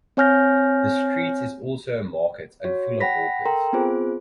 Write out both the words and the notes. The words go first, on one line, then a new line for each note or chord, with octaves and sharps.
The street is also a market and full of hawkers.
C4 C#5 G#5 F6 G6 A#6
F#4 C#5
F#5 G5 B5 A#6 B6
A4 A#4 G5 A#5 C6
B3 C4 F4 G#4 C5